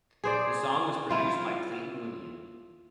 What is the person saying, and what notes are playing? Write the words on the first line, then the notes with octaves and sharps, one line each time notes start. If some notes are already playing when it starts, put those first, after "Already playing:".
The song was produced by Clayton William.
G#4 C5 D5
E4 F4 C5